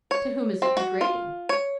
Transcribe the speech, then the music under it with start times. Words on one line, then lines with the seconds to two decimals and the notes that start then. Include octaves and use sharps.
"To whom is it degrading?"
0.11 C#5
0.62 C4
0.77 F#4
1.01 F4
1.49 C#5